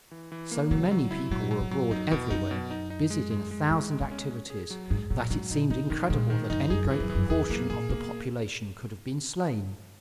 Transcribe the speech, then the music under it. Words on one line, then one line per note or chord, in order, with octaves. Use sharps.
So many people were abroad everywhere, busied in a thousand activities, that it seemed incredible that any great proportion of the population could have been slain.
E3
E3
A#3
C#3 F#3
F#3
E4
A#2 F#3
F#3
G#2
F#3
F#2 D#4
E2 B2
F#2 D#4
B2
D#4
D#4
G#3
G#3
G#3
G#2 G#3
G#3
B2
C#4
C#4
G#4
F#3
G#2 G#4
A#2 F#3
G#2 F#3
A#2 D#4
B2 D#4
B2 D#3
A#2 G#3
D#3
F#2 D#4
F#2 G#4
G#2
E3
F#2
E3
F#2
E2 G#4
F#2 A#3
A#2 G#4
B2 A#3